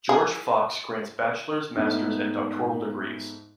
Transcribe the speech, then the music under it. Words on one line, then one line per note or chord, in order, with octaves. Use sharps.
George Fox grants bachelor's, master's, and doctoral degrees.
G#4
G#2 A3 B3 D#4